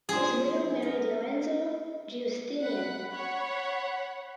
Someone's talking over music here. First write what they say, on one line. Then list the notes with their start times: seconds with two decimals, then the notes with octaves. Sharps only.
His widow married Lorenzo Giustinian.
0.09 F3 G#4 C5
0.82 D#4 A#4
2.60 F#5 B5 F#6
3.09 C#5 F#5 B5